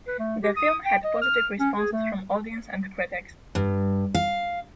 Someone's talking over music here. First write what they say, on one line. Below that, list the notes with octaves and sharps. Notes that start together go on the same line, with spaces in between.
The film had positive responses from audience and critics.
B4
A3
G4
D#6
G5
D#5
F6
C#4
G#4
A3
G2
F5